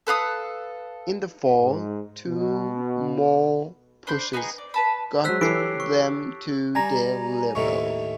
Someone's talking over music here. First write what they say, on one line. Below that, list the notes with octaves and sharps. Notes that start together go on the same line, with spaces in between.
In the Fall, two more pushes got them to the level.
A4 B4 F5 D#6
G#2
B2
D4 C5 B5 G6
B3 D#4 E4 G#4
D5
B4 A5 B5
F#3 G#3 C5 E6 F#6 B6
E3 G4 A4 C#5 C7 D7
C#6
G3 G#5 A#5
D#2 A2 D#3 C#6